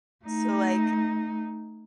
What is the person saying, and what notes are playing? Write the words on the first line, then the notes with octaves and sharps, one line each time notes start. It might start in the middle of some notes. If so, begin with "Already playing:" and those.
So like
A3 D#4